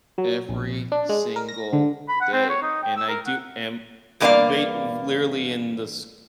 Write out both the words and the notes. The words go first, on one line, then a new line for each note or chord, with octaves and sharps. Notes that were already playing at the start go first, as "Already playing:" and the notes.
Every single day, and I do am e be literally in the s
F#3
A#1
D4
G#3
A#4
A#6
D3
B5
F#5
C4
C#5
D#4
G5
E6
A#4
F#5
E2 G2 A#3 C4 D5 F5